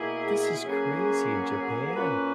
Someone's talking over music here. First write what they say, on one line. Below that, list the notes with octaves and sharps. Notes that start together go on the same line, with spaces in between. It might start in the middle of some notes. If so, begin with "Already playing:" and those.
This is crazy! In Japan?
Already playing: B2 A#3 E4 G#4
F#3 A#3 C#4 G#4 B4
A#2 A#3 C#4 F#4 B4